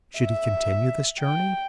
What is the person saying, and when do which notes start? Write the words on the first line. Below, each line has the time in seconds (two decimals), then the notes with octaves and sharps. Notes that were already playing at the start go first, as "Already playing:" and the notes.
Should he continue this journey?
0.19 E5
1.20 G5